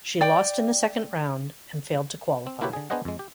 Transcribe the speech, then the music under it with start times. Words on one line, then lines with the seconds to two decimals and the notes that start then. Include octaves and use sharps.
She lost in the second round and failed to qualify.
0.21 D5 G5
2.47 C4
2.61 A#3 E4 F#4 G4 B4 C#5
2.73 D3 G#4
2.90 B3 D4 G#4 C5 D#5 F#5
3.05 F2 G#3
3.19 G4